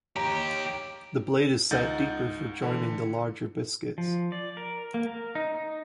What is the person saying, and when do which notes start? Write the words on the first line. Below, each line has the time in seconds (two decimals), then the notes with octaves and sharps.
The blade is set deeper for joining the larger biscuits.
0.16 D#2 G4 C#5 A#5
1.71 C#2 D#4 D#5 F#5 G6 A6
2.62 D3 E3
3.98 F3
4.32 D5
4.57 A#4
4.94 A#3
5.07 A#4
5.35 D#4
5.55 D#4